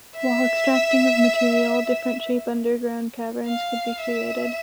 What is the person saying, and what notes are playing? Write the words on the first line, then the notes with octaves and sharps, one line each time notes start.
While extracting of material, different shape underground caverns could be created.
E5
F5
E5